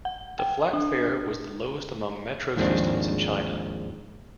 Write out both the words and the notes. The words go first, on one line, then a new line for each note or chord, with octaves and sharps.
The flat fare was the lowest among metro systems in China.
F#5
G5
D4
D#2 G#2 D#3 F3 C4 D4